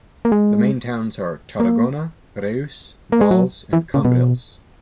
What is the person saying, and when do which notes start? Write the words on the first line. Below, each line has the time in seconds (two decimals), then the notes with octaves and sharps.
The main towns are Tarragona, Reus, Valls and Cambrils.
0.25 A#3
0.32 G#3
1.60 A#3
3.12 A#3
3.21 G#3
3.31 F#3
3.73 E3
3.94 C#3
4.05 B2